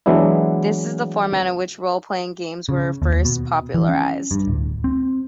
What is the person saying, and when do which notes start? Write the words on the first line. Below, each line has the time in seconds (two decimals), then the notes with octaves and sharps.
This is the format in which role-playing games were first popularized.
0.06 E3 F#3 G#3 B3 D4 E4
2.69 C#3
3.02 D#2
3.25 B2
3.74 E3
3.89 C#4
4.31 G2
4.47 D1
4.84 C4